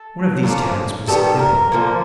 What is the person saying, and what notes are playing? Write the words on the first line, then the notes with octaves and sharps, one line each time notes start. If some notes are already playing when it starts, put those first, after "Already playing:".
One of these towns was Hippo.
Already playing: A4
D3 F3 A#3 C#4
D#3 G3 B3 A4
A#4
D3 F3 A#3